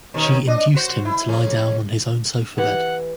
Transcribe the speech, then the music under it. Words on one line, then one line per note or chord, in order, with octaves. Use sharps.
She induced him to lie down on his own sofa bed.
B2 D#3 C#4
D4 D#5
F#4 C5
E4
F2 C#4 G#4
E3 E4 G4 F#5